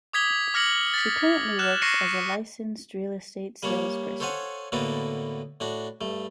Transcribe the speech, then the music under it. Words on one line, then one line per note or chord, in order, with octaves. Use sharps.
She currently works as a licensed real estate salesperson.
D6 D#6 G#6 B6 F7 G7
D6 F6 A#6 C#7 F#7
A6 B6
F6 F#6 E7
C#6 A#6 C7 C#7 D#7 E7
G3 A#3 D4 C#5
A4 C5 C#5 F5 F#5 G#5
A2 D3 A#3 B3 F#4 A4
A2 D4 F#4
G2 A3